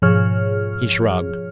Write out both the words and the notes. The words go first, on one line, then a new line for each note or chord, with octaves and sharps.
He shrugged.
G#2 B2 F3 G#4 C#5 F6